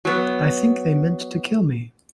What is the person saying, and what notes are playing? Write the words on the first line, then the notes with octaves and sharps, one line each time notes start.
I think they meant to kill me.
F#3 B3